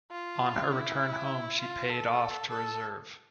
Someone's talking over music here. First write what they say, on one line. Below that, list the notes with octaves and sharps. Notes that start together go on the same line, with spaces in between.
On her return home she paid off to reserve.
F4
E4
F4
A4
A4